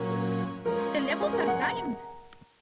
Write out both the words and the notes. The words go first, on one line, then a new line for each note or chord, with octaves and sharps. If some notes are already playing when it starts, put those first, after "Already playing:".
The levels are timed.
Already playing: A#2 F#3 C#4 A#4
A#4
F3 G#3 C#4 A#4
G#4
A#4
F#5
A#5